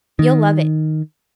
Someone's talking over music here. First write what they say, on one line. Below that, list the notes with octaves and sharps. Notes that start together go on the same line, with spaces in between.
You'll love it.
D#3